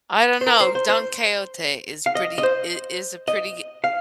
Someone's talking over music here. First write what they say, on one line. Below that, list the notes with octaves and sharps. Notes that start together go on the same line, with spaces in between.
I don't know. Don Quixote is pretty it is a pretty g
C5
A#4
C5
C5
C5
F5
D#5
D#5
C5
D#5
F5